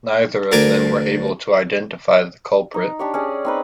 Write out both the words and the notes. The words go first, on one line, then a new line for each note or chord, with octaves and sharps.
Neither of them were able to identify the culprit.
D2 D4 A#4 G#5 D6
D#4
D4 G4 C#5
C#4 G#4 D5
C4 D#4 B4